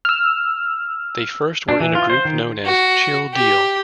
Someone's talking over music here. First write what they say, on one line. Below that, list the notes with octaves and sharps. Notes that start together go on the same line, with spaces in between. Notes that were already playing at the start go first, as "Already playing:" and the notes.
They first were in a group known as Chill Deal.
E6 F6
D4
E3
F4
C5
D#3
F#4
G4